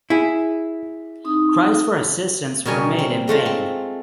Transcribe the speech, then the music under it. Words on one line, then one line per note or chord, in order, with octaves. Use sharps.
Cries for assistance were made in vain.
E4 G#4
C4 D#4 D#6
B2 G3 A#4 C#5 G#5
C4
G#3 A3 F4 A#5
C4